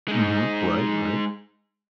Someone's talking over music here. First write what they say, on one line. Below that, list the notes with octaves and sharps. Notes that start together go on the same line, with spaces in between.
Mhm, right, right.
G#3 D#4